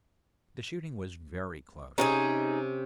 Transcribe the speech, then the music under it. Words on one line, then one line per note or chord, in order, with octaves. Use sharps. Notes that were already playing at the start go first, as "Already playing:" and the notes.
The shooting was very close.
C3 C4 C#4 D#4 F4 G#4